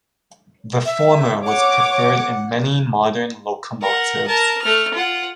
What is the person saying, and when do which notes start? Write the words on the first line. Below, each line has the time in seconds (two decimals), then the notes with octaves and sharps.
The former was preferred in many modern locomotives.
0.85 E5
1.46 C#5 F#5 D6
3.81 A#4 F#5
4.27 A#4 A5
4.61 A3 F6
4.93 F4 F#5